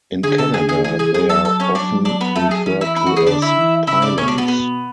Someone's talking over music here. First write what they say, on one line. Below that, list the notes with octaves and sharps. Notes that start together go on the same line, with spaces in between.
In Canada they are often referred to as pylons.
D3 G#4 G#5
A4 A5
D3 G#4 G#5
G#4 G#5
E3 G#4 G#5
G#4 G#5
F#3 G#4 G#5
A4 A5
A4 A5
C#4 C#5
F#3 D4 D5
D4 D5
B3 B4
F#3 A3 A4
G#4
E3 C#4
E4
E4
F#4
G#4
D3 D4 D5
E4 E5
E3
C#3 E4 E5
D4 D5
B2 C#4 C#5
D4
B3
B3